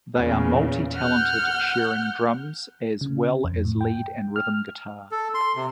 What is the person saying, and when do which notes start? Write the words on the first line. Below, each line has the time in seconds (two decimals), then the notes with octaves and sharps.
They are multi-talented, sharing drums as well as lead and rhythm guitar.
0.16 E2 A#2 C#3
0.97 F#5 F6 G6
3.01 C#3
3.44 F2
3.65 A2
3.81 G5
4.36 F6
5.11 A4
5.34 C6
5.56 C3